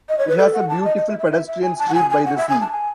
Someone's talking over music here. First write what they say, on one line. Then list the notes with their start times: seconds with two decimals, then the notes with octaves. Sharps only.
It has a beautiful pedestrian street by the sea.
0.09 D#5
0.18 C#5
0.28 B4
0.38 A4
0.54 F#5
0.69 A5
0.84 D#5
0.97 D#5
1.08 E5
1.19 E5
1.31 E5
1.47 E5
1.63 G#5
1.78 A5
1.89 F#5
1.94 G#5
2.10 G#5
2.25 F#5
2.37 E5
2.49 G#5
2.61 A5
2.72 G#5